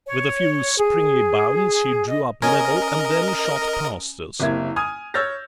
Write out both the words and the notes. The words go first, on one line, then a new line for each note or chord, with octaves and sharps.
With a few springy bounds he drew up level, and then shot past us.
C#5
G#4
D#5
C#4 A#4 D#5
F#1 C3 A#3 E4 G#6
G#5 D#6 F6 G#6
C#5 E6 F6 G6 A6 A#6